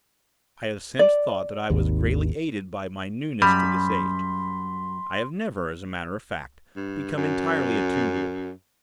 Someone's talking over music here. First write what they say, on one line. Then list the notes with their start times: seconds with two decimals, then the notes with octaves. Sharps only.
I have since thought that I was greatly aided by my newness to this age. I have never, as a matter of fact, become entirely attuned to it.
0.99 D5
1.70 G#1 D#2
3.42 F#2 G3 B5 C6
6.76 G2
7.16 F#2